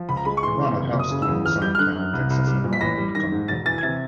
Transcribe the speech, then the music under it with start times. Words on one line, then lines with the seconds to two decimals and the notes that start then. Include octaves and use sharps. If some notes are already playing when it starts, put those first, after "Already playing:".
He ran a health school in San Antonio, Texas even after becoming bedridden.
Already playing: F3
0.09 C#2 B5
0.17 A#5
0.25 G#3 B5
0.37 C#6
0.43 E3 C6
0.60 C3
0.77 F#1
0.94 F#1
0.99 D#6
1.11 C#3
1.22 E6
1.28 E2
1.45 G1 F6
1.62 G3 G6
1.75 F6
1.78 D3 F#6
1.96 F#2
2.13 C2
2.30 C2
2.47 G3
2.64 A#2
2.73 B6
2.80 A1 A#6
2.98 G3
3.15 D#3 A#6
3.32 G#2
3.48 E1 A6
3.66 E3 A6
3.78 G#6
3.83 C3 A6